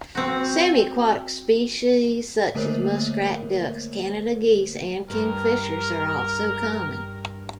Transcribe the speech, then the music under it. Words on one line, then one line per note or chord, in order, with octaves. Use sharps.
Semi-aquatic species such as muskrat, ducks, Canada geese and kingfishers are also common.
C4 F#4
D3 A3 A#3 A#4 C5 C#5
G2 A#4